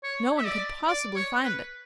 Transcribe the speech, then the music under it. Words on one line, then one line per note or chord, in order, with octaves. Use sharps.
No one could possibly find it.
C#5
E5
D5
D5
C#5
B4